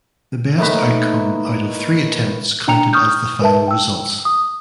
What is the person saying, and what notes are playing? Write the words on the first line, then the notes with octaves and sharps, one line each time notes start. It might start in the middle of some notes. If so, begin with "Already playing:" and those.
The best outcome out of three attempts counted as the final results.
A2 A#3 D#4 B4
D4 G5 A#5 C#7 F7
C#6 D#6 F6 G6
A#4 B4 E5 A5
G5 E6
D#6